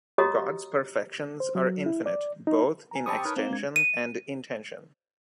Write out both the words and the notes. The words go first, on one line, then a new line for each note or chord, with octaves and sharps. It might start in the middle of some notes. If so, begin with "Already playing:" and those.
God's Perfections are infinite both in extension and intention.
F#4 G4 C#5 D#5 A#5 D#6
C5
F#3
E4
D5
D#4
G#5 A#5
C4 G4 A5 B5 C#6 D#6
D#4 A#4 B4 C#5
A#3 C4
G#3 D4 G#6
D#7